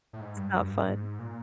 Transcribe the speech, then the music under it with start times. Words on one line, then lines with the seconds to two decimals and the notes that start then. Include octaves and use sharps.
It's not fun.
0.13 A2
0.21 G#2
0.37 G2
0.54 F#2
0.64 G2
0.75 G#2
1.19 A#2